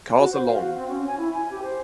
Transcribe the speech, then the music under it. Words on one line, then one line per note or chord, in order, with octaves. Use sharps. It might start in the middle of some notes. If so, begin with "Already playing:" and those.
Cars are long.
F#4
C5
F5
F#4
C4
C#4
G#5
E4
G#5
G4
C5